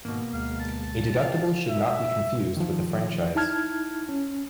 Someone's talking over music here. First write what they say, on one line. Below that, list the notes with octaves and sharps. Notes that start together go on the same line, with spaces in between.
A deductible should not be confused with a franchise.
G#2 B2 D#3 A#3
D2 G#3 F5
A5
D5 F5 G5
E5
D#3 F3
D#4 E4 A5 F6 G#6
C#4